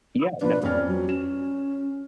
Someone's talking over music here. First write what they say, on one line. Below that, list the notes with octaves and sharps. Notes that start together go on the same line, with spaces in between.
Yeah, definitely.
B2 F3 D4 B4
F2 C#4 D5 F6
F#3
C#4 E7